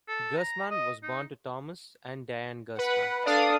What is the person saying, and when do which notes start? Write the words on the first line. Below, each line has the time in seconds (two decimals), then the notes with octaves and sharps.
Gerstmann was born to Thomas and Diane Gerstmann.
0.08 A4
0.38 A#5
0.71 D#5
1.03 D#4
2.78 B4 F#5
3.26 D4 A4 D5 F5 D#6